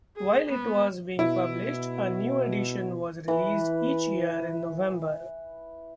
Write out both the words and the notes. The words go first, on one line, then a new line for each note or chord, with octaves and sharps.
While it was being published, a new edition was released each year in November.
G#4
B3
B2 E4
E3 B4